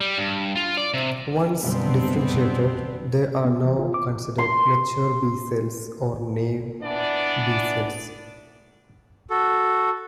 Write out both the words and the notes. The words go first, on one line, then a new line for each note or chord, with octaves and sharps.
Once differentiated, they are now considered mature B cells, or naive B cells.
G3
G2
F4
D5
C3
B1 F#2 D3 F#3 G3 B3 C4 D4
B3
E3
F4
D6
C6
E3 B3 D4 D5
F#4 A4